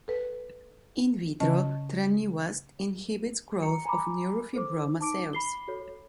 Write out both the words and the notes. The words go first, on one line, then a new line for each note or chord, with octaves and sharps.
In vitro, tranilast, inhibits growth of neurofibroma cells.
A4 B4
C#3 C#4 D#5 A5
A#5 C#7
G#5 A#5 B5 D6
A4 C5 D6
D#4 A5 D6 D7
B5 C7 G7
F#4 A4 C#5